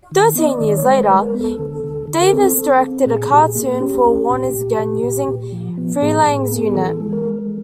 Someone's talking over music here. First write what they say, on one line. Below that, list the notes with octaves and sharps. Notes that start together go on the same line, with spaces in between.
Thirteen years later, Davis directed a cartoon for Warners again, using Freleng's unit.
D#3
B3 D#5
D5
D#3
D5
C#5
G#3 C5
B4
G#3
A#4
B3
A4
D3
D3
D3
A#4
C4 A4
C4
C4
A#2 G#4
A#2 G4
G#4
A#3
C#4 G4
C#4
A#2
A#2
A#2
A#2
A#2
F3
B3
A2 G#4
A2
G#4
B3
G#4
E3 A4
G#3
A#4
G#3